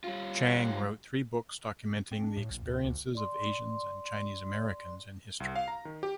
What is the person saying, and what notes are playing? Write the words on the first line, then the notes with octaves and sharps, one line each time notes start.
Chang wrote three books documenting the experiences of Asians and Chinese Americans in history.
G3 F4
C4
D4
A2
A#1
D1
D2
D5 C6
C2
F5
A#5
D#3
G4